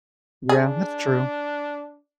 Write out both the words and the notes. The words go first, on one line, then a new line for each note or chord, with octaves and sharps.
Yeah, that's true.
D4 G#4